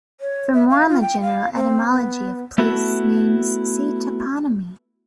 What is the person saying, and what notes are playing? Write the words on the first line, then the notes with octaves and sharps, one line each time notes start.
For more on the general etymology of place names see toponymy.
C#5
E5
F5
F4
G5
F5
C4
B3
A3 B3 E4 F#4 A4